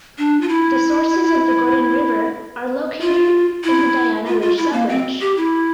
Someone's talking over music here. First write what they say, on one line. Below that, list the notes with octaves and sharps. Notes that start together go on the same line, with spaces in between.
The sources of the Gorin River are located in the Dayana Ridge subrange.
D4
F4
E4
F4
E4
F4
F4
E4
A#3
C4
G4
E4